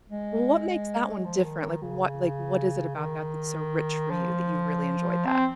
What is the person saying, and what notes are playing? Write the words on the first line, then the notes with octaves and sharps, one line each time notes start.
Well, what makes that one different? Like, what like, what is it about that that's so rich for you that you really enjoyed that?
G#3
F3
D#3
D#3
C#3
D#3
F3
C4